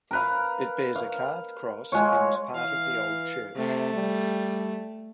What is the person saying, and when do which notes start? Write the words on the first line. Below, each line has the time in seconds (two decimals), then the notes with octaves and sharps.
It bears a carved cross and was part of the old church.
0.11 A#4 B4 F5
0.96 F5
1.92 G#3 F4 C#5
2.55 E3 F5
3.56 C3 A3
3.93 G3